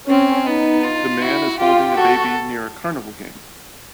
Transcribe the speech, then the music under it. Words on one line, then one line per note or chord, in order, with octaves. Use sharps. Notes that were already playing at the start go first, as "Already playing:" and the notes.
The man is holding a baby near a carnival game.
C4 C#4
B3 D#4
F4
E4 F#4
F4 G4
F#4 A4